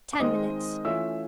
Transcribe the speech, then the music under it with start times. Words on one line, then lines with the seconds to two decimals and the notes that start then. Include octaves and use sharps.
Ten minutes.
0.13 D6
0.20 D#3 G#3 C4 D#5 D#6
0.85 E3 A3 C#4 F4 E5 E6